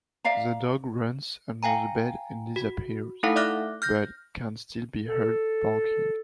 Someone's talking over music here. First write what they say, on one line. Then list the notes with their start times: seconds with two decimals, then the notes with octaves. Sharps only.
The dog runs under the bed and disappears, but can still be heard barking.
0.25 D5 E5 F5 A#5
1.63 F5 G5 G#5 A#5
2.56 F#4
3.23 A3 D#4 E4 A4 F5 F#5
3.36 D5 E5 D6 F6 F#6 A#6
3.82 F6 G6 A#6
5.05 A4